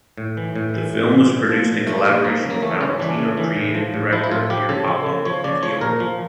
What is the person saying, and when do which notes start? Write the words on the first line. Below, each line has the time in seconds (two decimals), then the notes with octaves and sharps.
The film was produced in collaboration with Valentino creative director Pierpaolo Piccioli.
0.18 A2
0.37 E3
0.56 A2
0.74 E3
0.93 A2
1.12 E3
1.31 A#2
1.49 F3
1.68 A#2
1.87 F3 A3
2.06 A#2
2.24 F3 A#3
2.43 C#3
2.50 A#3
2.62 E3 A3
2.81 C#3 C#4
2.99 E3 D4
3.19 C#3
3.37 E3
3.56 A2
3.75 F3
3.94 A2
4.12 F3 E4
4.24 E4
4.31 A2 F4
4.50 F3 G4
4.69 C#3 A4
4.88 F3
5.06 C#3
5.25 F3 C#5
5.44 C#3 D5
5.63 F3 C#5
5.81 A#2 A#4
6.00 F3